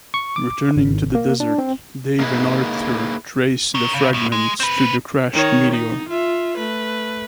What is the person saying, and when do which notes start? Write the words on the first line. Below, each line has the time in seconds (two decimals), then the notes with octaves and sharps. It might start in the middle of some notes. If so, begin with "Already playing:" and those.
Returning to the desert, Dave and Arthur trace the fragments to the crashed meteor.
0.14 C#6
0.36 D6
0.77 G#1
1.15 A#3
1.40 D4
1.58 C4
2.20 A#3 D#4 E4 G#4 B4
3.75 A#4 C#5
3.94 C#3
4.13 C2 A2
4.32 G#3
4.60 C4 B4
5.34 D#3 C#5
5.72 D#4
6.08 F4 E5
6.57 A3 B4